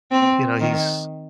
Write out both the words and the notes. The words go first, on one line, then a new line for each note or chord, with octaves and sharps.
you know, he's,
C4
D#3